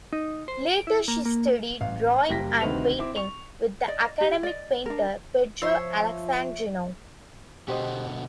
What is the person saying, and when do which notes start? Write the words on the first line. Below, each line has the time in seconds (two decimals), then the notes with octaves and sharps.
Later she studied drawing and painting with the academic painter Pedro Alexandrino.
0.13 D#4
0.48 C5
0.68 D7
0.87 E4
1.08 A#3
1.25 A#3
1.81 A1 F5
2.29 F#1 G3 A#3 G5 A#6 B6
2.61 D2 C3 D#3 C4 B4 F7
2.98 C4 E4 D6
3.16 C#6 F7
3.88 D5 D#5
4.21 G4
4.43 D5 D#5
4.86 D4 A#4
5.62 F3 F4 C5 C#5 E5 C6
7.68 B2 D3 F#4 G4 C5 D#5